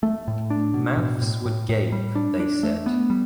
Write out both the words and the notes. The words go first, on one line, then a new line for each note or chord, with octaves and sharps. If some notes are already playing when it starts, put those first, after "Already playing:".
"Mouths would gape", they said.
A3
A2
D4
B2
A2
A2
A2
A2
G3
D4
D4
A3
B3
G3